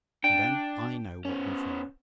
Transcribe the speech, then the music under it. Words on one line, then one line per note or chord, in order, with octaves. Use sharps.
And then I know what will follow.
D4 G5
B3 C#4